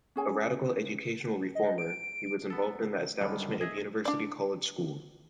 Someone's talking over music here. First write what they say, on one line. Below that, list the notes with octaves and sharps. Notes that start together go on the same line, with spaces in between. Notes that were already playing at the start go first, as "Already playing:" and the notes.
A 'radical educational reformer' he was involved in the establishment of University College School.
C#4 G#4 G#5
D#5
D7
B3 A4
F#2 D3 D#3 G3 B5
G#4 D#5 E5 G#6 A#6
D4 D5